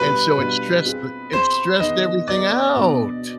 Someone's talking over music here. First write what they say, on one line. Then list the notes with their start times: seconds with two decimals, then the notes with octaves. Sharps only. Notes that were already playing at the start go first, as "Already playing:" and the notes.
and so it stressed the it stressed everything out.
Already playing: B2 G3 D4 F4 B4
0.38 B2 G3 D4 F4
0.85 C4 F4 G#4
1.33 C4 F4 G#4 C5
1.80 D#3 G#3 B3 D#4 B4 D#5
2.28 D#3 G#3 B3 D#4 B4 D5
2.76 B2 B3 D4